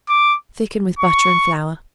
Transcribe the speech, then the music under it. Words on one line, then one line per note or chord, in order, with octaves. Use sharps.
Thicken with butter and flour.
D6
C#6